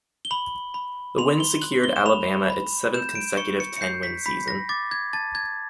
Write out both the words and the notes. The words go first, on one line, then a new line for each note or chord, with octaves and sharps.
The win secured Alabama its seventh consecutive ten-win season.
G7
B5 F#7
B5
C6 F7
G7
F#6 F#7
G7
E7
B5 F7
B5
G6 E7
D7
C#6 C#7
C#7
C#7
G6 C7
B6
B5 B6
A#6
D6 A6
G#6
A5 A6
G#6